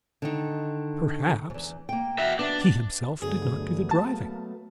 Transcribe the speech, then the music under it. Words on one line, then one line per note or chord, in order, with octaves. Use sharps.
Perhaps he himself did not do the driving.
D3 D#3 D#4
E2 G#2
A#3 G5
F#4 E5
B3 D4
G2 D3 F#3 A3 B3 G#4
A#3 A5